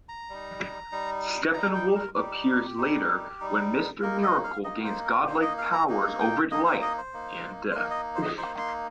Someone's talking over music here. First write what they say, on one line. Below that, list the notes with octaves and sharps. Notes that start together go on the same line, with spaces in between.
Steppenwolf appears later when Mister Miracle gains godlike powers over life and death.
A#5
G3 D#4
G3 D#4
G3 D#4 A#5
G5
G4
A#4
G3 D#4 G4
G3 D#4
G3 D#4
A#3 D#4 A#4
D#5
F5
A#3 D#4 D#5
C5
A#4
A#3 D#4 C5
D#5
F5
A#5
A#3 D#4
G5
A#3 D#4 D#5
C5
D#5
C5
A#3 D#4
C5
A#3 D#4 A#4
D#5
C5
D#5
A#3 D#4 C5
C6